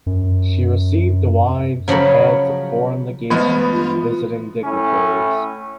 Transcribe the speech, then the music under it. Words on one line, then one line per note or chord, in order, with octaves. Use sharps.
She received the wives of heads of foreign legations and visiting dignitaries.
F#2
C#3 F3 F#3 C#5 B5
E3 F3 G#3 A3 B3 D#5 B5
F4
A2 C#4 E4